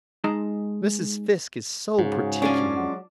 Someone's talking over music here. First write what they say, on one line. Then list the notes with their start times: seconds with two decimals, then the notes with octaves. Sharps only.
Mrs. Fiske is so particular.
0.24 G#3 D#4 G#4 D#5 A5 A#5
1.99 G#2 C#3 F#4 G#4
2.42 F3 C#4 D4 G#5
2.74 F#3 G#3 F#4